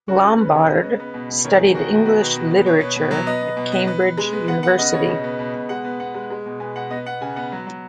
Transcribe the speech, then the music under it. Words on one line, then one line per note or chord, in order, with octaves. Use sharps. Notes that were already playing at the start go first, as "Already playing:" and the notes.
Lombard studied English literature at Cambridge University.
C#3 F#4
C#3 F#4
B3 B4
C#3 C#5
C#3 D#5
B3
B3
B2
B2
D#3 C#5
D#3 G#4
D#3 F#4
D#3
B3 F#4
B2
B3
B3
B2 C#5
B3
B2
F#3
B3 D#5
B3
B2
B3
B3
B3
G#3
B3
B3 F#5
B3 F#5
C#3 D#5
C#3 C#5
B2 D#5
B3
B2
B2
G#3 F#5
B3
B3 F#5
G#3
G#3
B2
B3 G#5
B2 F#5
B3 D#5
B3 F#5
C#3 G#5
B3 F#5
F#3
F#3